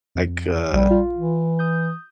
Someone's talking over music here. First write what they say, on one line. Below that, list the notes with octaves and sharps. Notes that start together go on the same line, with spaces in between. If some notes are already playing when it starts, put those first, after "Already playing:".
like, uh,
F2
A#1 G3
F4
E3
D#6 G6